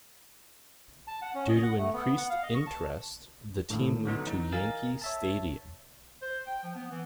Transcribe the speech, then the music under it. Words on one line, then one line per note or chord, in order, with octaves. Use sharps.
Due to increased interest, the team moved to Yankee Stadium.
A5
F#5
C#4
D#5
F#5
A3
B3
F#5
F5
D#5
C#6
A5
G#1 A2 D3 D#3
D3 F#3 B3 D#4
E3 D#4
A#4 D#5 F5 G#5 A6
C#5 E5 A5
C5
G5
F3
B3
E3